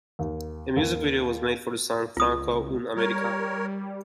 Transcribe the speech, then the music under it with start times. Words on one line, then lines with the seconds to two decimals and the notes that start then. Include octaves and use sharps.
A music video was made for the song, "Franco Un-American".
0.19 D#2
0.76 D#2
2.17 C#2 F4 D#6
2.96 G3 A#4 C#5